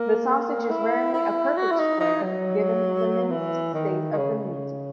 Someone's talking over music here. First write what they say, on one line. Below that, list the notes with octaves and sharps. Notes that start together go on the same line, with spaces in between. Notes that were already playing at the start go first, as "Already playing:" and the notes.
The sausage is rarely a perfect square given the minced state of the meat.
Already playing: A#3
E4
E4
F#4
E4
D#4
D#4
F#3
E3
D#3
D#3
C#3